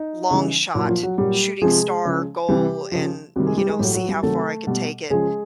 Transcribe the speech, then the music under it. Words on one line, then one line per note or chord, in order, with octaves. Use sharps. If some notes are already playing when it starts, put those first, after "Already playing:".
long shot shooting star goal, and, you know, see how far I could take it,
Already playing: D#4
C#3 E3 G3
A#2 F#3 E4
F3 F4
F#3 F#4
A#2 F#3 G3 G4
C3 F3 G#3 G#4
C#3 F3
C3 E3 G3 G4
C#3 F3
C3 D#3 F#3 G3 F#4
G#3 G#4
G3 G4
G#3 G#4
A2 F#3 G3 G4
F#3 F#4
G3 G4
C3 D#3 F#3 A3 A4
B2 G3
C#3 F3 G#3 G#4